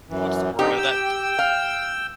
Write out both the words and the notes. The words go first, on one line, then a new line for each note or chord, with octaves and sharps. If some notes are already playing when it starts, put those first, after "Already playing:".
What's the word uh, that
F#2 E3
D3 C4 D#4 G4
G5 E6
F5